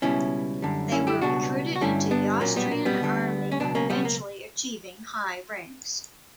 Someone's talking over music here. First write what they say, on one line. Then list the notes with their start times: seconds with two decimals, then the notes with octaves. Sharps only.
They were recruited into the Austrian army, eventually achieving high ranks.
0.02 C#2 B2 G3 C#4 E4
0.62 F#2 D3 G3
0.92 C#4 E4
1.07 E4 G4
1.22 C#2 B2 G3 D4 F#4
1.76 F#4
1.81 G2 D3 G3 C#4 E4
2.11 B3 D4
2.41 B1 A#2 F#3 A#3 C#4
2.56 G3 B3
2.71 A#3
2.85 G3 B3
3.01 D2 D3 G3
3.52 C#4
3.60 C#2 B2 F#3 B3 D4
3.75 A#3 C#4
3.90 G3 B3
4.05 A#3